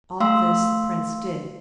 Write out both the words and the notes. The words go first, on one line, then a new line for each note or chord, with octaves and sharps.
All this the Prince did.
A3 F5 C6 E6